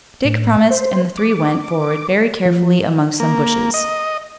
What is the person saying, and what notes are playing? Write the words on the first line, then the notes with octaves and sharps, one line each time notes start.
Dick promised and the three went forward very carefully among some bushes.
A2
C5
D6
F3
A#3
D#5